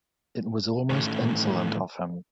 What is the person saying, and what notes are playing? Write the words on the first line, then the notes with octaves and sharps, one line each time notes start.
It was almost insolent of him.
A2 D#3 E3 A3 C#4